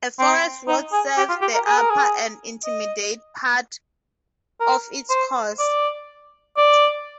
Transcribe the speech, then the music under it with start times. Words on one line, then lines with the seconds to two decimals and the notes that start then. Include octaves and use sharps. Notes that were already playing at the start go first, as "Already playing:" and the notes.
A forest road serves the upper and intermediate part of its course.
0.19 C4
0.68 D#4
0.92 G#4
1.17 G4
1.29 F4
1.41 G4
1.54 A#4
1.66 G#4
1.78 A#4
1.90 G#4
2.64 D#5
4.60 A#4
5.10 C5
5.59 D5
6.57 D5